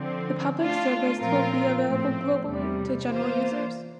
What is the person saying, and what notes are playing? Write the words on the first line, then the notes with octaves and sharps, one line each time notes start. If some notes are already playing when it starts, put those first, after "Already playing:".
The public service will be available globally to general users.
Already playing: D3 F3 C4
A3 D4 F4
A#2 F3 C4 F4 A#4
A2 F3 C4
E2 C3 G3
E3 A#3 F4 C5